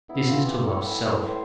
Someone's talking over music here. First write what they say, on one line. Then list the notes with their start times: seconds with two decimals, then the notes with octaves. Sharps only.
This is to love self.
0.09 B3 E4
0.28 E3 F4
0.45 E3 G4
0.63 A2 A4
0.81 E3 B4
0.99 E3 B4
1.17 A2 C5